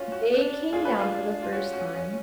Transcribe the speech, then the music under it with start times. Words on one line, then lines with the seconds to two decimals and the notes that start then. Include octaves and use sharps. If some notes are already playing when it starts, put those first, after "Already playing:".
they came down for the first time
Already playing: C#4 F4 F#4
0.12 F#4
0.31 D4
0.72 D4 F4 G#4
0.85 G#4 B4
0.99 F4 G#4
1.42 F4
1.52 C#4 F#4
1.73 F#4